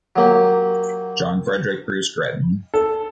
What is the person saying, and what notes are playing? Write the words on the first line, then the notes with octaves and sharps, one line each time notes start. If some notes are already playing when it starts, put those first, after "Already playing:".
John Frederick Bruce Gretton.
F#3 A#3 G4
A4